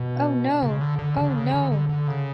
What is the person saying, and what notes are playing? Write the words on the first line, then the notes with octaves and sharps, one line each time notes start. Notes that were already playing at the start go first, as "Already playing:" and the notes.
Oh no! Oh no!
Already playing: B2
C#3
D3
D3
C#3
D3
C#3
D3
D3
D3
C#3